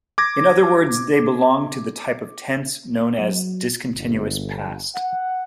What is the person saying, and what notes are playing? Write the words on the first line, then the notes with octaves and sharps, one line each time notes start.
In other words, they belong to the type of tense known as discontinuous past.
D6 G#6 A#6
F#3
G1
F#5